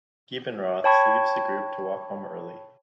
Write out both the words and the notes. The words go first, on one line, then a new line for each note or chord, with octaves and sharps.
Giebenrath leaves the group to walk home early.
C#5 G5 A5 B5 C#6 G#6